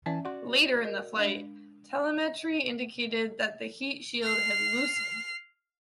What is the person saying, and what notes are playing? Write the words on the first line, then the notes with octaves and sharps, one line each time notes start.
Later in the flight, telemetry indicated that the heat shield had loosened.
E3 C#4 D5 E5 G#5 A5
F#4 D5 F#5 C6
A#4 D#5
G#3 D4
F6 C7